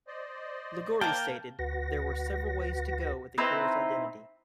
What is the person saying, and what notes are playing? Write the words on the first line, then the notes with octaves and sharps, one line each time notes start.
Ligouri stated there were several ways to go with the killer's identity.
C5 D5 D#5
A#3 A#4 G5 A5
D2 F#4 B4 F#5 A#6
C4 D#4 E4 B4